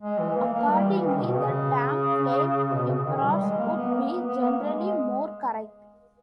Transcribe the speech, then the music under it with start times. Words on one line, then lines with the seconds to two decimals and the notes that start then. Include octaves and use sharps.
Accordingly, the term "flame emperors" would be generally more correct.
0.02 G#3
0.19 E3
0.36 A#3
0.53 A#3
0.70 G3
0.88 E3
1.04 D#3
1.21 B2
1.38 C#3
2.74 B2
2.91 C#3
3.08 D#3
3.25 G3
3.42 G#3
3.59 A#3
3.76 B3
3.93 A#3
4.10 B3
4.27 B3
4.43 A#3
4.61 G#3
4.78 G#3